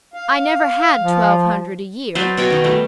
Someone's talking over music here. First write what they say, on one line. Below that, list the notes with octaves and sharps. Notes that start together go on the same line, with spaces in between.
I never had twelve hundred a year.
F5
F3
F#3 B4 C5 D5
B2 F#4 G5 G#5
D#3 D#5
G3 A3